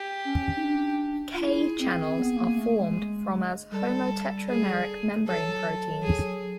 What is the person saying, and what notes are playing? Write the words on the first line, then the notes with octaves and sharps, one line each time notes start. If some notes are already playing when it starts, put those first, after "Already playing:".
K channels are formed from as homotetrameric membrane proteins.
Already playing: G4
C#4
D#4
D4
F4
E4 G#4
C4
B3
B3
A#3
A3
G#3
G3 A4
G#4
F#3 A4
G#4